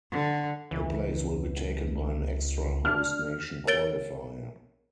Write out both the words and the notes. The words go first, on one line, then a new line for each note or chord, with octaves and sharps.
The place will be taken by an extra Host Nation qualifier.
D3
C#2 E3
D4 F6
A#4 C#5 A6 D7 G7